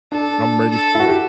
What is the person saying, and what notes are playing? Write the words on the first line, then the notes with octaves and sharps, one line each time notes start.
I'm ready for it.
D4 A4
A4
E4
F#4
G4